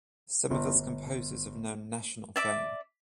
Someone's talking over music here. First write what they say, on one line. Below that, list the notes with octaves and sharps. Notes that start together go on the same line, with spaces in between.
Some of its composers have known national fame.
G1
G1
D5 E5 D6